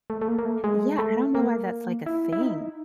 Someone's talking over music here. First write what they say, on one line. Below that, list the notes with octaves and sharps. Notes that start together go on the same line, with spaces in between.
Yeah, I don't know why that's, like, a thing.
A3
A3
A#3
A#3
A3
G#3
A3
A#3
E4
E4
D#4